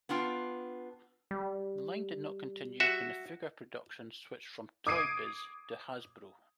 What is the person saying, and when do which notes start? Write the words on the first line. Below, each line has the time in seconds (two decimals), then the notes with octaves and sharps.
The line did not continue when figure production switched from Toy Biz to Hasbro.
0.09 B3 D4 F4 G5
1.31 G3
2.80 F#4 E5
4.87 D6 D#6 G#6 C7 D7 D#7